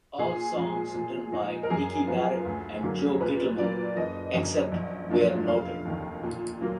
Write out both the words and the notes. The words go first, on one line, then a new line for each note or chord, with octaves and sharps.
All songs written by Dicky Barrett and Joe Gittleman, except where noted.
A#2 G#4
F3 G#3
A#2
G#3 D#4
A#4
F#2 G#4
F3 B3 F4
D2
D3 F#3 A#3
A#2 B4
F#3 A#3 D5
F#1 D#5
F#2 D3 F#3
A#1
A#2 F#3 D4 F4
F1 F5
D#2 D#3
A#2
F#3 A#3 F4